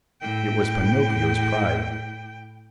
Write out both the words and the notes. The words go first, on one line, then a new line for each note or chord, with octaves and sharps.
It was Pinocchio's pride.
A2 G5